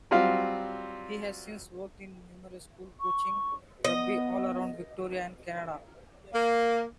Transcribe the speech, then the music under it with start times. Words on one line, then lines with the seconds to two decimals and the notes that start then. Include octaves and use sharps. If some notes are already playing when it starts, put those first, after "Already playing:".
He has since worked in numerous school coaching rugby all around Victoria and Canada.
0.11 F#3 G3 C4 F4 F5
3.00 C#6
3.84 B3 D#5
6.33 A#3